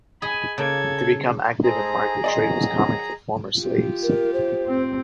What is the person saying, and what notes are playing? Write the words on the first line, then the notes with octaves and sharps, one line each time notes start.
To become active in market trade was common for former slaves.
G#4 D#5 G#5 B5
C#3 A#3 A4 G#6
D#4 G#4 A4 C5 G#5 A#5
D#3 F3 F#3 D5 D#5 C6
F4 G4
A#4
C5
C4